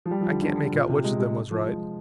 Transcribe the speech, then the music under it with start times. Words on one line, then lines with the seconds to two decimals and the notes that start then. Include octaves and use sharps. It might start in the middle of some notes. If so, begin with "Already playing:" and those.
I can't make out which of them was right.
0.06 F3
0.11 G3
0.21 F3
0.32 D3
0.42 D3
0.73 A#2
0.89 C3
1.04 G#3
1.19 G#3
1.51 F3
1.67 G#3